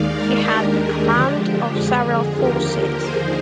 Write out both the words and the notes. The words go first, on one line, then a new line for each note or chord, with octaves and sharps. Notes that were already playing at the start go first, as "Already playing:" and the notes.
He had the command of several forces.
Already playing: D#2 D#3 G#3 D#4 D5 F5
A#4 D5
D#2 D#3 G#3 D4 G4 A#4
G#4
D3 F3 G#3 D4 G4
F2 D3 G#3 G#4
G#4
D#2 D3 F3 A#3 G4 A#4
G4 A#4
D#2 D3 F3 A#3 D#4 G#4 C5